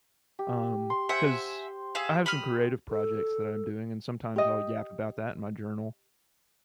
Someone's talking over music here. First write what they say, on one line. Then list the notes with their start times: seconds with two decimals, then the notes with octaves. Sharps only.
Um, 'cause I have some creative projects that I'm doing, and sometimes I'll yap about that in my journal,
0.39 G4
0.90 C6
1.09 C5 E5 F#5 G#5
1.95 G#4 E5 F5
2.26 B5 D#6 F6
2.90 A4
4.36 G4 D#5